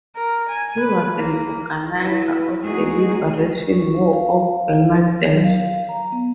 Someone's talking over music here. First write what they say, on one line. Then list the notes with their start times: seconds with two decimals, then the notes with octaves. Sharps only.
He was an organizer of the Liberation War of Bangladesh.
0.16 A#4
0.49 G#5
0.80 B4
1.17 A#3
1.94 E4 B4
2.62 G#3 A3 D#4 F#4 G#4
3.70 C#6
4.13 F5
5.31 F#3
5.44 F5
5.89 A#5
6.12 B3